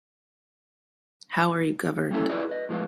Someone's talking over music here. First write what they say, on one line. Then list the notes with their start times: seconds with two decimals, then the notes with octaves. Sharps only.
How are you governed?
2.11 G3 A#3 C#4 E4 A4
2.30 E4 F4 G#4 B4 D5 D#5
2.49 B4 D#5
2.69 A2 F3 G#3 B3 F4